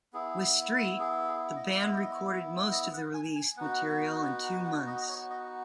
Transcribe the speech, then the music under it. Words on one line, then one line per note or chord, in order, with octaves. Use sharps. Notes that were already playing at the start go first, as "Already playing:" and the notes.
With Street, the band recorded most of the released material in two months.
B3 E4 G#4
G#4
G#4
D#5
D#5
D#5
F#5
G#5
G#5
B3 D#4 F#4 F#5
F#5
F#5
D#5
D#5
C#5
D#5